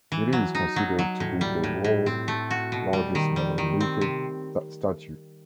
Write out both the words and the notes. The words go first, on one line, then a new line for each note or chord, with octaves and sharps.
It is considered to be the world's largest monolithic statue.
E3
F#3
D#4
F#3
F#3
A2
G3
A2
A2
C4
A3
F#4
B2
G3
D#3
G3
D#3
C4
C3